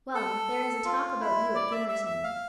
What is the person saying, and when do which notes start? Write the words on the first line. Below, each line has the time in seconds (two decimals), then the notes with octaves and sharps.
'Well! there is a talk about you at Gimmerton.
0.15 A4
0.85 F4
1.20 E4
1.55 D5
1.71 E5
1.89 E5
2.06 E5
2.24 F5